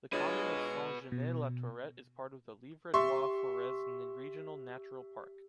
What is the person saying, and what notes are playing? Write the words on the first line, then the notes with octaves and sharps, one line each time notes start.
The commune of Saint-Genès-la-Tourette is part of the Livradois-Forez regional natural park.
G#3 D4 F4 F#4 B4 C#5 D#5
B2
G4 E5 C6 C#6